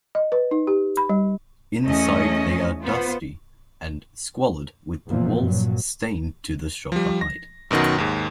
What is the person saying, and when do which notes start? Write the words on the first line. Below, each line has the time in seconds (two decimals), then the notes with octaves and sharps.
Inside they are "dusty" and "squalid" with the walls "stained to shoulder height".
0.15 D#5
0.32 B4
0.51 D#4
0.67 G4
0.97 B5
1.09 G3
1.84 E2 A3 C#4 D#5
2.81 B3 F4 C5
5.08 F1 E2 A#2 E3 F3
5.40 G2 A#2 F#3
6.92 F3 G3
7.21 A#6
7.71 F#2 B2 D#3 F#3 F#4
7.98 D#2 G#2